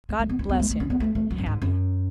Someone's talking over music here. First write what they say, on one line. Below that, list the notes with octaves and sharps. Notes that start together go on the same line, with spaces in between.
God bless him!--happy.
G#3
A3
B3
C#4
B3
A3
G#3
A3
C#4
B3
A3
A3
F#3
F#2
G#2
F#2